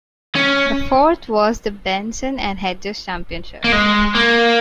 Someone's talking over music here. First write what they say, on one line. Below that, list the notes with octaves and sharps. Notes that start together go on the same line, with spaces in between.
The fourth was the Benson and Hedges Championship.
C#4
A#3
G#3
A#3